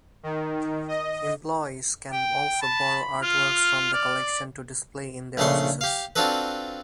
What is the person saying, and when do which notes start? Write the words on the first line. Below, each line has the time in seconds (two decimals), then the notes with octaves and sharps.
Employees can also borrow art works from the Collection to display in their offices.
0.23 D#3
0.88 D#5
2.12 G5
2.62 A5 B5
3.23 F4 F6
3.93 D5
5.37 A#1 C#3 A3 D4 C6 C#6
5.81 G4 F5
6.16 C4 D4 F4 F#4 A4 B4